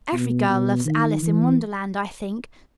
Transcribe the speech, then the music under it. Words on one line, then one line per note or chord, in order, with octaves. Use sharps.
Every girl loves 'Alice in Wonderland,' I think.
B2
B2
D#3
E3